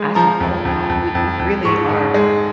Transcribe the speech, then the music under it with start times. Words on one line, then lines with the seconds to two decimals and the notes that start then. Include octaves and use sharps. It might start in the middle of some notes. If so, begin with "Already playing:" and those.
I said, "Oh, wow. We we really are"
Already playing: G#3
0.15 F3 A#5
0.40 F2
0.65 F2
0.90 F2
1.15 F2
1.39 F2
1.64 G#2 C#6
1.89 G#2
2.14 G#3